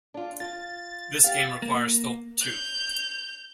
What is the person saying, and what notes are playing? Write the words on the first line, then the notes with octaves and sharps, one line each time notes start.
This game requires thought, too.
D4 F4
F4 A6
G4 F5
A#3
G6 F7